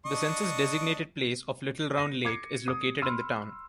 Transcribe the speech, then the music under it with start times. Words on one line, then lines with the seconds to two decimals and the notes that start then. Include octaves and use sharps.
The census-designated place of Little Round Lake is located in the town.
0.06 D4 D#5 C#6
1.97 A#6 D#7
2.25 D6 G#6 C7 C#7
2.68 D#6
3.02 B5 C6 E6 F6